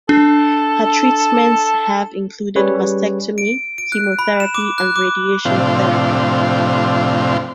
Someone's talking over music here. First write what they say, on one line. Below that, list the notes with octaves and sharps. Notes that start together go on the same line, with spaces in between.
Her treatments have included mastectomy, chemotherapy and radiation therapy.
D4 A4
G3 C#4 G#4 B4 C#5
D7
D7
F#6
B5
E7
D6
F#6
D6
A2 C3 F3 C4 D4 F4